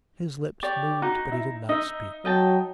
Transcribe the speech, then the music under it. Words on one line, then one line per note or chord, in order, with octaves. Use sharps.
His lips moved but he did not speak.
G4 C#5 D5
D#4 F#4
E4
D#4 D#5 E5
F#3 D#5 G5 A5